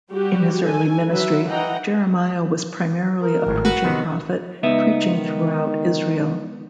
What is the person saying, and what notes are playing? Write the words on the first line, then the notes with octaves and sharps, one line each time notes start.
In his early ministry, Jeremiah was primarily a preaching prophet, preaching throughout Israel.
G3 F#4 G4
A4 G#5
F#3 B4 E5
E3 D#5 F#5 G5 A#5
A#4
G#1 A2
F#4 B4
C3 D#3 B3
C#2 B3 D#4 E5
D#3